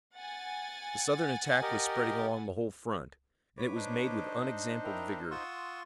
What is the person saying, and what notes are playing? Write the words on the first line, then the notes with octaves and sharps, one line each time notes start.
The Southern attack was spreading along the whole front, and it was made with unexampled vigor.
F#5 G#5 A6
G4 A#4 D#5
B4 C#5 D6
D4 D#4 C5 D#5
E4 A#4 G5
F4 F#5 C6 C#6 D#6 E6